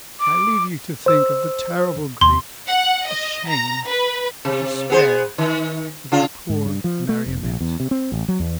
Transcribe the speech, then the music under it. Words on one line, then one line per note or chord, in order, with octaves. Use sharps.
I leave you to think of the terrible grief, the shame, the despair of the poor Marionette.
D6
C5 E6
D#2 C6
F#5
D#5
A#5
B4
C3
B3 G#4 C5
D#3
C#3 F4
G#2
G2
F3
A3
F1
A#1
E2
C3
C4
A1
F#3
E2